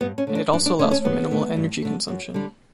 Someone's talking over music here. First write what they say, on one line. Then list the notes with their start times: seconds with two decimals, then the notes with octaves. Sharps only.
And it also allows for minimal energy consumption.
0.01 G2 B3
0.18 C#4
0.27 D3 A3
0.35 D4
0.53 G2 D4
0.66 D4
0.79 D3 C#4
0.83 A3
0.91 C#4
1.04 G2 B3
1.31 D3 A3
1.56 G2
1.82 D3 A3
2.08 F#2
2.34 D3 G3